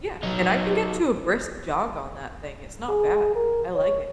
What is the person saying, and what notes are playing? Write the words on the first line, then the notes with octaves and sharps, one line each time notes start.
Yeah, and I can get to a brisk jog on that thing, it's not bad. I like it.
F#3 D#4
G#4
A#4
C#5